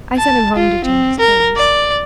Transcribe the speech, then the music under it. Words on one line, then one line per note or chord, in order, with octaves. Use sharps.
I sent him home to change his clothes...
A5
F4
C4
A#4
D5